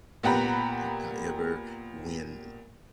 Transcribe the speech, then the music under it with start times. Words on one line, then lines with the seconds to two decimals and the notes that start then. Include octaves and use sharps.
you know? H however, when
0.23 A#2 B3 G4 F#5 A#5 B5